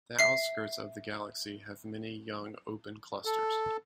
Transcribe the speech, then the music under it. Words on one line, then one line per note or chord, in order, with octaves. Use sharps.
The outskirts of the galaxy have many young open clusters.
E5 C7
A4